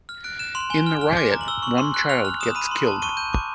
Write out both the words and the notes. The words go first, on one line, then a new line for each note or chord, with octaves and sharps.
In the riot, one child gets killed.
F6
F#6 D7
F#6 E7
C6 F7
G#5 G7
F6
F6
D6
A#5
F#7
E6 G7
C#6 F#7
C6
F#6
F6 F7
F6
D#6 E7
B5 D#7
C6
A5
C#6 D#7
G6 D#7
D6